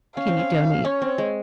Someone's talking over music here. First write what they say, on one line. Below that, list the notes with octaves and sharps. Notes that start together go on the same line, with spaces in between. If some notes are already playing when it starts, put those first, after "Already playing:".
"Can you donate"
C#4 F5
C4
C#4
C#4 C#5
C4
G#3